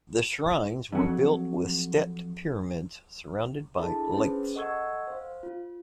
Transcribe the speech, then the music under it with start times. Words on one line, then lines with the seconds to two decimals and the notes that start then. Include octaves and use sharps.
The shrines were built with stepped pyramids surrounded by lakes.
0.92 F2 F#3
3.78 D4 E4 G#4 A4 A5 B5
4.12 C#4 G#4 B4 C5
4.55 A4 D#5 F#5 C#6 E6 G#6
5.07 C5 F5
5.43 F4